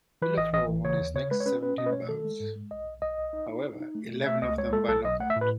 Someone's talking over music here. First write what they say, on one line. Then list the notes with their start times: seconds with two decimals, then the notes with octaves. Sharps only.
Villaflor won his next seventeen bouts, however, eleven of them by knockout.
0.22 E3 B4
0.37 A1 D#5
0.53 A1 D#5
0.68 E3
0.84 C#3 C#5
1.00 D#2
1.15 C#3 C#5
1.31 G#3 B4
1.40 C#5
1.46 C#4 B4
1.61 C#4 B4
1.77 B2 D#5
1.86 B4
1.93 A3 C#5
2.09 D#3 A4
2.25 G#3
2.40 G#2
2.56 G#3
2.71 B1 D#5
2.87 B1
3.02 B1 D#5
3.18 B1
3.33 D#4
3.49 D#4
3.64 D#4
3.80 D#4
3.95 A3
4.11 B2
4.26 A3 E5
4.42 C#2 D#5
4.57 G#3 C#5
4.73 G#3 A4
4.88 B1 A4
5.04 B1 D#5
5.19 A3 F#5
5.30 E5
5.36 A2
5.41 B4